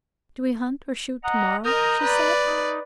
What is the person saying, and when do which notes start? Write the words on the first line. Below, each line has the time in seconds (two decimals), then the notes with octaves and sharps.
"Do we hunt or shoot to-morrow?" she said.
1.24 D#5 F#5 A#5
1.65 A#4 D#5 A#5 D#6 G6
2.03 B4 D5
2.46 D#4